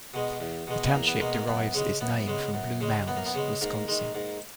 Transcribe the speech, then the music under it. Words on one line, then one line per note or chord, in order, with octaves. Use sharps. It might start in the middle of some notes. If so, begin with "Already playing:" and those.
The township derives its name from Blue Mounds, Wisconsin.
B2 G#3
E2
B2 G#3
B3
E2 A#3
B3
B2 G#3 A#3
A#3
F#2 B3
C#3 G#3
F#2 B3
C#3 G#3
F#2
C#3 G#3
F#2 B3
A#3
B3
C#3 G#3
G#2 A#3
D#3 G#3
G#2